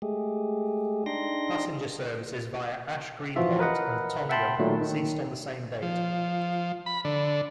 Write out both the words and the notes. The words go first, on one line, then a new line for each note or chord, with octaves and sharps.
Passenger services via Ash Green Halt and Tongham ceased on the same date.
G#3 A3 G4 G#4
D4 D#4 G5 C6 A#6
E3 F3 F4 F#4 E5
A#4 B4 D#5 F#5
E5 F#5 G5 A5 B5 C6
A#2 D#3 F#3 A3
D#3
F3
B5
D3